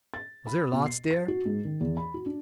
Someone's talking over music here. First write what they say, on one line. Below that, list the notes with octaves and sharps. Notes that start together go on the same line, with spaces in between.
Was there lots there?
A6
B5
B2
C7
A6
F#4
G#2
D#3
E2
B5
F#4
D4